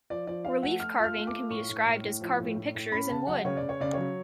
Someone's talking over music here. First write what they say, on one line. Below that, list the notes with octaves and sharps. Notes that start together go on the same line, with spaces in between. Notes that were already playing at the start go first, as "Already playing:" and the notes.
Relief carving can be described as "carving pictures in wood".
F3 D5
F3 D5
F3 F5
A3 F#5
A3 F6
F4
F6
A3
D6
F4
A2 C#6
A2
A2
A2
F3
A2
A2
A2
C#4 B5
C#3 A5
F#3 F#5
C#3 C#5
D5
C#3
C#5
C#3 D5
F#3 C#5